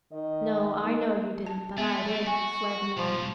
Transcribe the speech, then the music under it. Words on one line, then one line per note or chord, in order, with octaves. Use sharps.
"No, I know you didn't, but I did," flared the man.
D#3 D#5
A#3 D#4
A5
A3 B3 E5
F#4 G#5 C#6
G#2 B2 F3